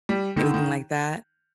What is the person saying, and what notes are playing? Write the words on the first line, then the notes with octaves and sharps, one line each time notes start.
anything like that?
G3
D3 D#3
D#3